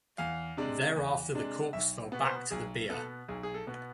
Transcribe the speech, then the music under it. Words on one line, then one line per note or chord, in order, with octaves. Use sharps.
Thereafter the corpse fell back to the bier.
E2 F5
C3 G#3 D4
E2
C3 G#3 D4
B1 E5
B2 B3
C5
B1 G#4
B2 B3 A4
B1 G#4
G#4
A4
B2 B3